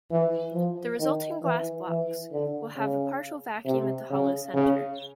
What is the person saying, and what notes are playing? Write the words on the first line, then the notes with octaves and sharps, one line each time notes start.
The resulting glass blocks will have a partial vacuum at the hollow centre.
E3
F3
D#3
E3
E3
D3
C#3
C3
C#3
C#3